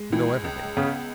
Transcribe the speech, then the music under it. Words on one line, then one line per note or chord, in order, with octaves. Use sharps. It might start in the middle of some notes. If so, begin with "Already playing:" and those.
You know everything.
Already playing: G#3
C#2 E3
C#2
C#3 B3